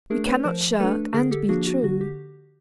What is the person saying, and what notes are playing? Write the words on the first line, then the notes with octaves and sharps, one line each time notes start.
We cannot shirk and be true.
A3 D4 G#4 A#4
B4 C#5
F3 A#4 C5
A3 D4 A4 B4
D3 G#4 A#4
G4 A4
F3 A#3 D4 F#4 G#4
F#4
D3 F#4
G4